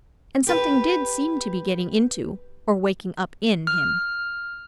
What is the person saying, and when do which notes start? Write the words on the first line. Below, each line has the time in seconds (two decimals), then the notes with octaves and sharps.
And something did seem to be getting into, or waking up in, him.
0.47 G4 B4
3.67 F6